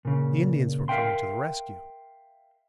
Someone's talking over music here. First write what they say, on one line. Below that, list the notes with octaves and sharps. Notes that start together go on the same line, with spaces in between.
The Indians were coming to the rescue!
A#2 C#3
A#4 E5 F5 G5 C6